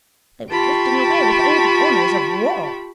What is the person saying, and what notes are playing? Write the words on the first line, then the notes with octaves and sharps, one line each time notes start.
They were drifting away with all the honours of war.
F4 G4 G5 A5 B5 C#6